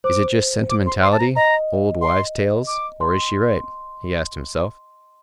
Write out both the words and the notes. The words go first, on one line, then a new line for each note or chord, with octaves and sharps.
"Is it just sentimentality, old wives' tales, or is she right?" he asked himself.
C5 D6
D6
C6
C6
A5
A#5
D#5 A#5
C6
D6
C6